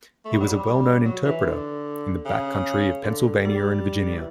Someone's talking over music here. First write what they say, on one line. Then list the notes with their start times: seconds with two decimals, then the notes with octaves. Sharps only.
He was a well-known interpreter in the backcountry of Pennsylvania and Virginia.
0.25 A3
0.33 G3
0.40 F#3
0.48 G3
1.05 F#3
1.25 E3
1.44 D3
2.25 C#3
3.04 D3
3.45 G3
4.14 E3